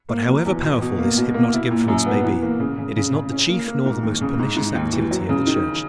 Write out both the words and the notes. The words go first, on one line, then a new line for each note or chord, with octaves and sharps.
But however powerful this hypnotic influence may be, it is not the chief nor the most pernicious activity of the Church.
A#3
F#3
E2
B2
B2
A#3
B2
A#3
E4
A#2
F#2
B3
E3
A#3
C#3
C#3
C#3
C#3
C#4
A#3
A#3
G#2
D#2
C#3
G#2
G#2
D#2
E3
F#3
C#3
D#3